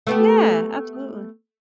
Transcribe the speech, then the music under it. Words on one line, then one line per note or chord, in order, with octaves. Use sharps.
Yeah, absolutely.
A3 B3 G4